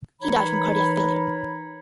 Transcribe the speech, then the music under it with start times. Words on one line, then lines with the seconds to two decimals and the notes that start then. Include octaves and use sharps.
He died from a cardiac failure.
0.21 E3 D#4 A#4 C#5 A#5 B5